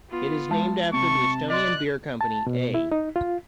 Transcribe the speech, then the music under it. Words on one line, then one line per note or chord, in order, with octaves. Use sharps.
It is named after the Estonian beer company A.
B3 F4
G#3 A5
C3 A5 C#6
D5 D#5 C6 F#6
A5
B2
E4
D#4
F4